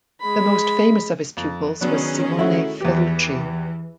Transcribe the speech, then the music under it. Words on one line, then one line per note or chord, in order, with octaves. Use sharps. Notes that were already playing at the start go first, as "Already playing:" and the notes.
The most famous of his pupils was Simone Ferrucci.
G#3 B5
F2
D#3 F#3 B3 C#4 D4 G#4
A3 E4 F#4
E2 E3 G4